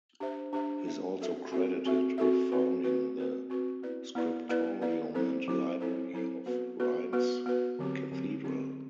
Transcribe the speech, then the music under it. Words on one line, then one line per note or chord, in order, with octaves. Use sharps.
He is also credited with founding the scriptorium and library of Reims Cathedral.
D4 G4 C5 E5
D4 G4 C5 E5
D4 G4 C5 E5
C4 F#4 A4 E5
C4 F#4 A4 E5
C4 F#4 A4 E5
C4 F#4 A4 E5
C4 F#4 B4
C4 F#4 B4
C4 F#4 B4
C4 F#4 B4
B3 E4 B4 D5
B3 E4 B4 D5
B3 E4 B4 D5
B3 E4 B4 D5
F#3 C4 E4 A4 C5
F#3 C4 E4 A4 C5
F#3 C4 E4 A4 C5
F#3 C4 E4 A4 C5
B3 F#4 B4
B3 F#4 B4
B3 F#4 B4
B3 F#4 B4
D3 F#3 C4 G4
D3 F#3 C4 G4
D3 F#3 C4 G4